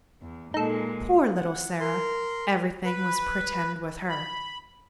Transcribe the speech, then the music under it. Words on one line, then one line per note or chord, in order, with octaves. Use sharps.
Poor little Sara! everything was "pretend" with her.
E2
A#2 G#3 D#4 A4
F#5
A#4 C6
B4
B5